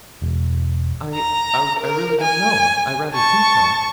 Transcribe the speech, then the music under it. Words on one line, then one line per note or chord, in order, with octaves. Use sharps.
'I--I really don't know; I rather think not.
E1
A#5
A#4
G#5
A5 C#6